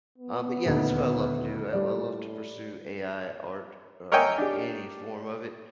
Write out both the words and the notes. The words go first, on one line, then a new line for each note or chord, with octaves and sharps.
Um, but, yeah, that's what I love to do. I I love to pursue AI art, um, any form of it.
B3
D#1 D2 D#4
A2 G3 D5
A#4 C#5 D#5 E5 G5 G#5
D4 G4